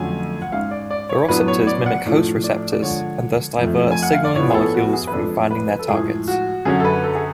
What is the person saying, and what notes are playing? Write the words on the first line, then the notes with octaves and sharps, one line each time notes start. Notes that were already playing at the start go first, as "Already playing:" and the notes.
Viroceptors mimic host receptors and thus divert signaling molecules from finding their targets.
Already playing: F2 D3 F#3 A3 C#4 G#5
F#5
G#2 G#3 C#4 F5
D5
D5
C#5
A2 F#3 B3 D4 B4
C#5
D5
F#5
A2 F3 A3 D4
D5
D5
D3 F3 G#3 D4 C#5
F2 F3 A3
G#5
F#5
F5
D5
A2 F3 B3 C#5
G#4
A4
F#4
F#4
G#4
B4
F2 F3 G#3 D4 A4
B4
A4
A2 F3 G#3 G#4
F#4
F#2 D3 F#3 C#4 G#4
A4
B4
A4
G#4